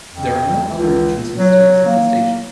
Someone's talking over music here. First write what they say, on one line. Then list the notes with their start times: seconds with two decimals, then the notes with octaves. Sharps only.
There are no other entrances to access the station.
0.10 F2
0.70 C#2
1.38 F#3
1.85 A#3